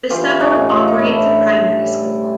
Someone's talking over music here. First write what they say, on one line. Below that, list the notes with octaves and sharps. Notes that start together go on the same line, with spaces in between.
The suburb operates a primary school.
E3 F4 G4
C#4 D#4
A2
D#4 F4
D#4
A2 D4 E4
G3
A2